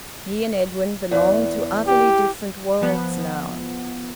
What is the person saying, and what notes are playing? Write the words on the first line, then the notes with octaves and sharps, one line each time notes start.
He and Edwin belonged to utterly different worlds now.
E2
G4
F3 B3